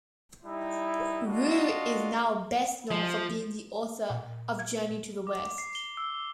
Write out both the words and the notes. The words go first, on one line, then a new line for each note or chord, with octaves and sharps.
Wu is now best known for being the author of Journey to the West.
G3 D#4 E4
D4 F4 F#4 D#5
F3
A#2
G#6
D6
C7
G7
E6